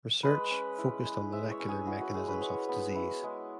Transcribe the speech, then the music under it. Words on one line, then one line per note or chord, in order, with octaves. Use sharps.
Research focused on molecular mechanisms of disease.
G#3 B4
C#4
E4
G#3
G#3 E5
C#5
C#4
G#4
E4 F#4
F#4
G#3 G#4
B4
G#3 C#5
B3
E4
G#3